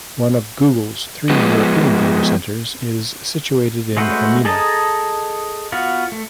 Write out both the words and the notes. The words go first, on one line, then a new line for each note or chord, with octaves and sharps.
One of Google's three European data centers is situated in Hamina.
F3 G#3 B3
G#3 A3 F#4 B4 C5
G#4 A4 D#5 A5 A#5
B3 F4 F#4
A3